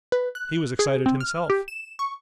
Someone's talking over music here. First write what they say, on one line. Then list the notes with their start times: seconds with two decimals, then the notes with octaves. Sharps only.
He was excited himself.
0.12 B4
0.35 F#6
0.79 G#4
1.06 C4
1.20 F6
1.50 G4
1.68 E7
1.99 C#6